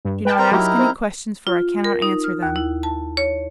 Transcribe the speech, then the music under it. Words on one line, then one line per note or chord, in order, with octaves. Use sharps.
Do not ask any questions, for I cannot answer them.
G2
B4 G5 A5
C4 A#4
F#3 D#4 E4 G4 A#4
C4
F4
A#4
D#4
F6
D#2
E4
A5
C#5